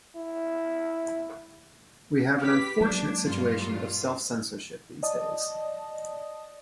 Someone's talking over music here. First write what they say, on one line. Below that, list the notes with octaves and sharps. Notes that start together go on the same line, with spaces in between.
We have an unfortunate situation of self-censorship these days.
E4
G4 B4 B6
F#3 G#3 A#3 D4
G2 A#2 F4
D5 D#5 A5 D#6